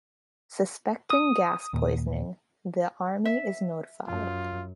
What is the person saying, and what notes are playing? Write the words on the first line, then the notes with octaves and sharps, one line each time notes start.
Suspecting gas poisoning, the army is notified.
D#6
D#2 A#2
E5
F#2 F4